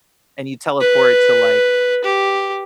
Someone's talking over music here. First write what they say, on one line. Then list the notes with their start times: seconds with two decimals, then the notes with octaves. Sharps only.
and you teleport to, like
0.81 B4
2.05 G4